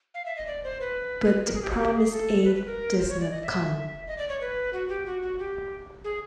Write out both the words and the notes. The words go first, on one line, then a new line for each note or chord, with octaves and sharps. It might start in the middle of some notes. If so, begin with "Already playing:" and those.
But the promised aid does not come.
F5
E5
D#5
D5
C5
B4
A#4
G#4
G4
F#4
G4
G#4
A4
B4
B4
A#4
C5
C#5
D5
D#5
E5
D#5
D5
C#5
B4
F#4
G4
F#4
F#4
G4
G#4